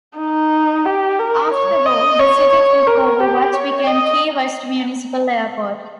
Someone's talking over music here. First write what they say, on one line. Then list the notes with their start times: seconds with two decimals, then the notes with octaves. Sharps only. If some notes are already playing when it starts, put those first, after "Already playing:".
After the war, the city took over what became Key West Municipal Airport.
0.19 D#4
0.85 G4
1.19 A#4
1.52 C#5
1.86 D#5
2.19 C#5
2.53 C#5
2.86 A#4
3.20 G4
3.53 C#5
3.87 D#5